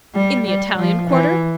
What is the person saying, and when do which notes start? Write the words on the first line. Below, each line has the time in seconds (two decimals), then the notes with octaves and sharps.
"In the Italian Quarter?"
0.15 G3
0.47 G3
0.77 F3
1.10 E3